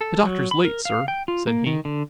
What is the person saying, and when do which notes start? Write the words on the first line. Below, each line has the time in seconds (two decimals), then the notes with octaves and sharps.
"The Doctor's late, sir," said he.
0.01 A4
0.23 F#3
0.51 B5
0.65 A#4
0.85 F5
1.08 G5
1.28 F4
1.47 A#3
1.66 D#3
1.85 D3